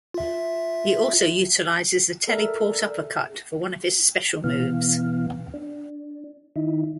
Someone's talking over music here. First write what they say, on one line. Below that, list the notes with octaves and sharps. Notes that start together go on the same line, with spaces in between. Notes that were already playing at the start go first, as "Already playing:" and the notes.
He also utilizes a teleport uppercut for one of his special moves.
F4 E5
A4 A#4 D5 E5
B2 E3 B3 F5
D4
D#3 D#4 E4